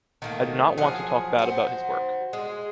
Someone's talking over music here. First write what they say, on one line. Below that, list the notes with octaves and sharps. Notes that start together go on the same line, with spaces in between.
I do not want to talk bad about his work.
D#3 A3 A#3
F3 F#3 G#4
F#4 C5
G#3